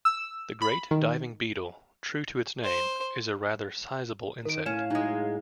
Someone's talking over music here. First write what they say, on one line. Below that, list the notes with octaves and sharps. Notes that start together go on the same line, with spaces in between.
The great diving beetle, true to its name, is a rather sizable insect.
E6
B5
D#3
C5
D#3 A#4 D7
A2 C#4 F5 E7
F#3 G#3 D#4